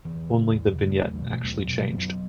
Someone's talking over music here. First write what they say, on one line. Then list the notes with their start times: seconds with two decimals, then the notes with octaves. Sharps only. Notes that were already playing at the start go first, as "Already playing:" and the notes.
Only the vignette actually changed.
0.05 E2 E3
0.29 C#3
0.52 E2
0.75 C#3
0.89 A3
0.98 E2 F#3
1.13 E3 A3
1.21 B2
1.29 E3 A3
1.44 E2 F#3 B3
1.67 B2
1.91 F#2 F#3 B3